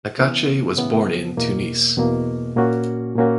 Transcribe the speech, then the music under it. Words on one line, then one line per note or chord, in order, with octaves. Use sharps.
Naccache was born in Tunis.
C#3 E3 B3
C#3 E3 B3
E2 B2 A#3
E2 B2 A#3
A#2 A#3 C#4 F#4
A#2 A#3 C#4 F#4